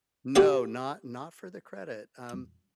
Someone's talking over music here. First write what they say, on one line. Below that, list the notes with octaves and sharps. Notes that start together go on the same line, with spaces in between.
No not not for the credit, um,
F#4 G4 E5 F5